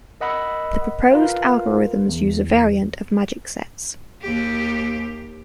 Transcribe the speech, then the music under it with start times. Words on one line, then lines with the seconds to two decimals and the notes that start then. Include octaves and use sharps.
The proposed algorithms use a variant of magic sets.
0.21 A#4 D#5 F#5 B5 E6
1.11 F4 A#4 B4 F5
2.09 E2
4.21 D#2 G4